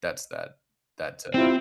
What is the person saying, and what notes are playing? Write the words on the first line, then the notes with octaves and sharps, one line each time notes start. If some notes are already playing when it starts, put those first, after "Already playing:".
that's that that's uh
C4 E4 F4 G4